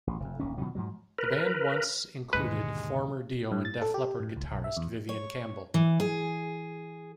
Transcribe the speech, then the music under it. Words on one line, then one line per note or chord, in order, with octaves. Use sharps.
The band once included former Dio and Def Leppard guitarist Vivian Campbell.
A1
F1 F2
D1 A#1 D#3 C#4
B2 D#3 F3 F#3
G#2 F3 F#3
A#4 B4
D#2 G#2 B2 D3 G#3 B4 C#7
G2
A6
A4
G4
A2
C#2
B1
E5
E2
C#5
E3
G#4